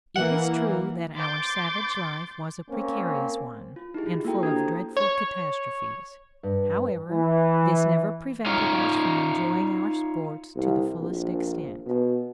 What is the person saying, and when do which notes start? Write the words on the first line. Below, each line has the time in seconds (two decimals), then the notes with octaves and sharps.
It is true that our savage life was a precarious one, and full of dreadful catastrophes; however, this never prevented us from enjoying our sports to the fullest extent.
0.16 E3 A#3 F#5
1.14 C6 D6 G6 A6
2.70 A#3 C4 C#4
3.76 F4
3.94 D#4 E4 G4 G#4
4.06 F4
4.25 A#3 E4 F#4 A4 G5 A#5
4.43 D4 G4 A4 C5 D#6 G#6
4.57 A#5
4.97 C#5
6.43 G2
7.11 E3
8.46 D#4 F4 C#5 F5
10.56 C2
11.00 A#1
11.87 B2